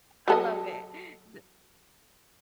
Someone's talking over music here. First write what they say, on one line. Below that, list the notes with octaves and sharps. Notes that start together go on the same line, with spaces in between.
I love it. Do d
F#3 A4 D#5